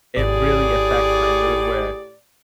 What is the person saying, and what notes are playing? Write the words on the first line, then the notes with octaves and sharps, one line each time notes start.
it really affects my mood where
G#1 A2 G4 G#4 D5